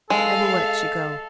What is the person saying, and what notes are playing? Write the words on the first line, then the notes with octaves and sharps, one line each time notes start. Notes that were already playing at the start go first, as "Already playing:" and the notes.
"I will let you go."
G#3 A4 F5